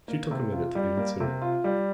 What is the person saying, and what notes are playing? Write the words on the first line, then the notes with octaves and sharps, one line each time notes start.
She took a minute to answer.
A#3
C3
F4
G3
A#3
C3
F4
G3